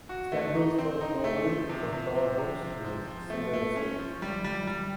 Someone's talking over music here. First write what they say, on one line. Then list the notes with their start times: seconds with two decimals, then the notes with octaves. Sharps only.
Stemple's first novel, for Tor Books, was "Singer of Souls".
0.09 F#4
0.32 A3
0.55 D#4
0.78 C4
1.01 D#4
1.24 A3
1.47 F3
1.69 C3
1.93 C3
2.15 F3
2.38 C3
2.61 F3
2.84 F3
3.07 F3
3.30 A3
3.53 A3
3.76 C#4
3.99 F3
4.22 G3
4.44 G3
4.67 G3